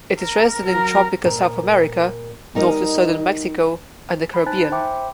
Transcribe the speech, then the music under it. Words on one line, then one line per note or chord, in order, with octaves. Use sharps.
It is resident in tropical South America north to southern Mexico and the Caribbean.
A#4
F#3 A#4
A#2 A#4
G3 D#4 A#4 D#5
B5
D#4 C5 G#5 A5 F#6 A6
C5 E5 G5 B5 D6